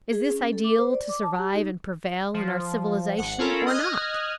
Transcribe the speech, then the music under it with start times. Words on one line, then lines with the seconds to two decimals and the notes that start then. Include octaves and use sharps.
Is this ideal to survive and prevail in our civilization or not?
0.11 G#4
0.31 C#4
0.53 A4
0.64 D6
0.78 C5
0.93 D5
1.09 D6
1.23 A5
1.39 G4
1.55 D#4
2.34 F3
3.17 G#1 F#5 C#7
3.39 C#4 F4 A4 A#4 B5
3.66 D#5 D#6 F6 F#6 G#6